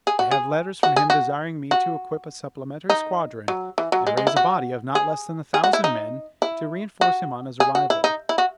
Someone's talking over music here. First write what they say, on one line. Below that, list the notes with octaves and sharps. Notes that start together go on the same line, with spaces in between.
I have letters from him desiring me to equip a supplementary squadron and raise a body of not less than a thousand men to reenforce him on his arrival.
G#4
F#4
G#4
F#4
G#4
F#4
F#4
D#4
F#3
E3
F#3
G#3
G#3
E4
F#4
G#4
G#4
F#4
E4
D#4
E4
F#4
G#4
F#4
E4
D#4
E4
F#4